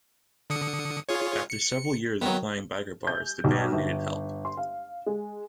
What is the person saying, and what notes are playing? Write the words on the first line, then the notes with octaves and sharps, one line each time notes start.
After several years of playing biker bars the band needed help.
D3 D#6 C#7
F4 G#4 C#5
C#7
D#3 F#3 B3
G6
B1
G1
C6
F5
G#3